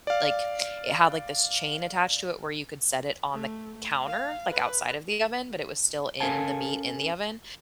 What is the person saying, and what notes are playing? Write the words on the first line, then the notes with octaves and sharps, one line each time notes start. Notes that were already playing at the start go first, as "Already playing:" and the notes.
like, it had, like, this chain attached to it where you could set it on the counter, like, outside of the oven, but it was still in the meat in the oven,
D5 F5
A3
F5
B4
C#4 A4 A#4 F5 G#5 A5